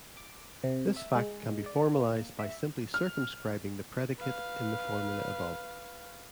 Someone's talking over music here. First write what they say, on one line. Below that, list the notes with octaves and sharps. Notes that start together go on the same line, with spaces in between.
This fact can be formalized by simply circumscribing the predicate in the formula above.
D6
C3
E5
G#3
D5
A#3
E5
F6
B4 F5